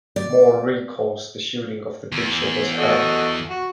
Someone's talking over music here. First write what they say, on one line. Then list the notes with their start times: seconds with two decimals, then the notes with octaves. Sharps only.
More recalls the shooting of the picture was hell.
0.16 D5
2.12 E2
2.79 F#4 A4 D#5
3.49 F#4